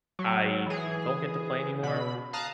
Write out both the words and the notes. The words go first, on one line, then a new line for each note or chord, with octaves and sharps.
I don't get to play anymore,
F#3
E3 G#4
B2 B5
F5 A5 A#5 D#6 F#6